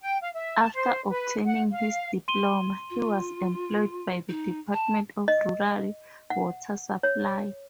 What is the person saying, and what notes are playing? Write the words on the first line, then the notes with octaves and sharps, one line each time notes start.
After obtaining his diploma he was employed by the Department of Rural Water Supply.
G5
F5
E5
A5
C5
B4
F#5
F5
C6 D#7 G7
F4
D#4
A5
D#5
F#5
C#5